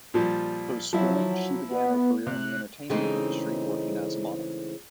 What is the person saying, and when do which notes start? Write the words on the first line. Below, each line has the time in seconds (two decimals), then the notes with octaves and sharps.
Post schooling, she began her career in the entertainment industry working as a model.
0.14 A#2 F3 G3
0.93 F3 F#3 E4
1.69 B3
2.27 C3 F#6
2.90 C#3 E3 G#3 A3 C4 D#4